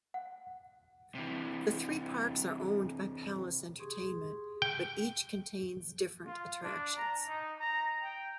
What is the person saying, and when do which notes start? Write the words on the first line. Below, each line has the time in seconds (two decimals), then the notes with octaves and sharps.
The three parks are owned by Palace Entertainment but each contains different attractions.
0.14 F#5
1.15 C3 E3
3.79 G4 G#4 C6 C#6 D#6
4.62 G5
6.26 F4
6.62 D4
6.97 A#5
7.28 D#4
7.59 A#5
8.02 G5